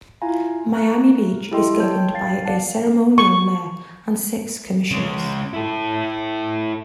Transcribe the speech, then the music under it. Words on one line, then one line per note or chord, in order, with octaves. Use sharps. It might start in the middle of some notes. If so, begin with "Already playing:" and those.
Miami Beach is governed by a ceremonial mayor and six commissioners.
E4 F4 F5 G#5 A#5
A3 A#5 C#6 F6 F#6
E4 G4 A4 D#5 G5 C6
C#5 G5 A5 G6
F5 A6 C7
D5 F5 F#5 A5
C#6
C#3 G#3
E4 A4